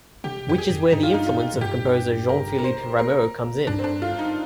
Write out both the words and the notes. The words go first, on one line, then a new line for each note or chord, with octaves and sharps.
Which is where the influence of the composer Jean-Philippe Rameau comes in.
C3 G4
F2 G4
G#4
F2
G2 D#4
F4
D#4
F4
G#2
G2 G4
A#4
A#4
C5
A#4
G2 D4
C4
D4
F4
D#4